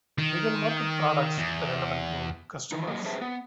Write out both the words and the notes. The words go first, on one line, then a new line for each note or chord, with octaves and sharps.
We can market products relevant to customers.
D#3
E2
D#3 E3 D#4
F#3 A#3 G4 D#5
G4 G#4 B4 C5 E5 A5
B3